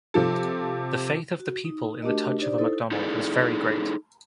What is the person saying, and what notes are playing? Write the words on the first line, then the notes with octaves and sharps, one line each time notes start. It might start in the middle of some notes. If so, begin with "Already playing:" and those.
The faith of the people in the touch of a Macdonald was very great.
C3 F3 A4
F#4
D#4
A3 D4 F#4 G4 A#4 D#5
D4 D#4 G4 C5 D5
D#4 E4 A4 C5
D#4 E4 G#4 A4 D5